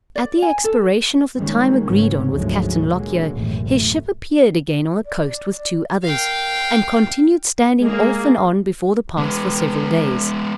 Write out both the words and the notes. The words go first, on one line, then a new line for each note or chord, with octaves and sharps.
At the expiration of the time agreed on with Captain Lockyer, his ship appeared again on the coast with two others, and continued standing off and on before the pass for several days.
D5
G#5
A4
D#3 G3 G#3 A#3 C#4
A1 G#2 C#3 B3 C#4
D2 G#2 F3 F#3 G#3 A3
A#2 D3 F#3 G#3 A#3
A1 F#2 B2 D#3
F#2 A3
D5
A#4 F5 G5
G#3 A#3 G#4
G#3 B3